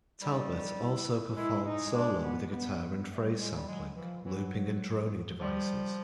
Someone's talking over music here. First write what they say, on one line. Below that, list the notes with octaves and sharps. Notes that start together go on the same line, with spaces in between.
Talbot also performed solo with a guitar and phrase-sampling, looping and droning devices.
G3 D#4
E4
G#3 E4
D#4
D4
B3
B3
G3 A3
G#3
G3
F#3 G#3
E3 F3
E3 F#3
F3 G3